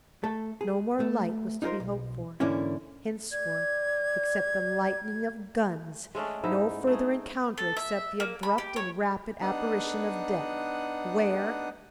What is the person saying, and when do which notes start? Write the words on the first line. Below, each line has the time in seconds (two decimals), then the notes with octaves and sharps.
No more light was to be hoped for, henceforth, except the lightning of guns, no further encounter except the abrupt and rapid apparition of death. Where?
0.24 A3 A4
0.61 G#4
1.00 A3
1.62 D#4 F4 G4 A#4 C5
1.80 B1
2.40 G#2 D3 E3 A#3 C#4 E4
3.32 D5 G#6
6.15 G#3 A3 C#4 D4
6.44 G#2 D#4 E4 E5
6.87 A3 D#4 G#4
7.58 A4
7.77 E5
8.20 A#3
8.43 B5
8.58 G4
8.76 C#5
9.42 B3 D4 D#4 F#5 D#6 F#6